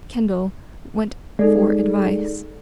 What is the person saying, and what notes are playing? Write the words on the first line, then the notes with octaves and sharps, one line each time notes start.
Kendall went for advice.
G#3 D#4 A4 D5